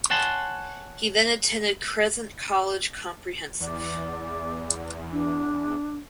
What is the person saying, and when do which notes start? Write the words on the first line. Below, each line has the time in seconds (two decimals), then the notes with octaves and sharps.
He then attended Crescent College Comprehensive.
0.10 C#5 F#5 G#5 A5 C6
3.60 E2 D5
5.11 D4